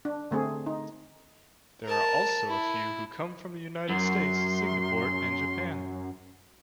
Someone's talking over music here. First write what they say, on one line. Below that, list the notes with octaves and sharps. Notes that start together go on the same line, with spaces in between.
There are also a few who come from the United States, Singapore, and Japan.
D4
D3 A3 C4 G#4
D#4
A#4 A5
E4
F#2 C6